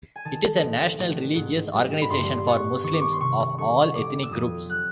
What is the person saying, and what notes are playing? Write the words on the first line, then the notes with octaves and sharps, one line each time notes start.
It is a national religious organization for Muslims of all ethnic groups.
G#5
D#3 A5
A1
A1
G#2
G3
B5
G2 C6
B3 C#6
D#3 C#6
D6
C#6
C6
C3 C#6
G1 C#6
G1 D6
E6
F2 D#6
F#3 F#6